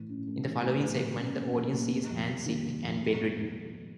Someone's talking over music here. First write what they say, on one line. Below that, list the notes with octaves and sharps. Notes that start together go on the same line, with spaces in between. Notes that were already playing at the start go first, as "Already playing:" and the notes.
In the following segment, the audience sees Hans sick and bedridden.
Already playing: A2 E3
C#4
A3
E3
A2
F#3
A#2
C#4
A#3
F#3
A#2
C3
F2
G3
D#3
C3
F2
B2